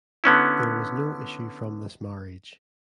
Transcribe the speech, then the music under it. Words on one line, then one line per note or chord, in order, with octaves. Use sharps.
There was no issue from this marriage.
D3 B3 C#4 E4